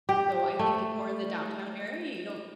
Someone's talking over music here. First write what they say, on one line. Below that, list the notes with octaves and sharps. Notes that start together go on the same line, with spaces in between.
So, I think more in the downtown area, you don't
G4
A3